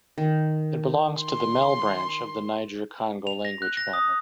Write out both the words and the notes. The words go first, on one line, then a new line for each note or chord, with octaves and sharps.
It belongs to the Mel branch of the Niger-Congo language family.
D#3
C6
F7
A#6
F#6
A#6
D#6